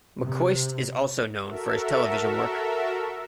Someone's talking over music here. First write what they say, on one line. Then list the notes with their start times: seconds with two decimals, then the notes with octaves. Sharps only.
McCoist is also known for his television work.
0.22 C3
1.42 F#4 A4 A#4 E5